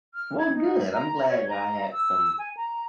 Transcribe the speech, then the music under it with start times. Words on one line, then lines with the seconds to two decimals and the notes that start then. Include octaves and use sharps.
Well, good, I'm glad I had some,
0.14 F6
0.39 G#6
0.54 D#4
0.94 A#5
1.29 C#5
1.49 A#5
1.93 E6
2.39 G#5
2.57 A#5